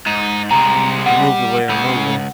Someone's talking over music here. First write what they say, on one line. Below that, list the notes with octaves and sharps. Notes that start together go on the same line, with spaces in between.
to move the way I'm moving
G#2 D#4
C2 C3 G#3 A#5
G3 F#5
C#2 C#3